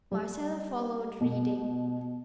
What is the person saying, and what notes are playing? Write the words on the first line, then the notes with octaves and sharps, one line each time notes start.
Marcella followed, reading.
G3
B2